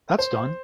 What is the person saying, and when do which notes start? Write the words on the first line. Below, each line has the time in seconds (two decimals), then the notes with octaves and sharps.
That’s done.
0.19 C5